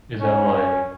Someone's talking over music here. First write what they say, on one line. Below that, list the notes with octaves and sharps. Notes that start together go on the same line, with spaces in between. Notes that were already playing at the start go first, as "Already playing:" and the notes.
Is that, like,
C#4
C#4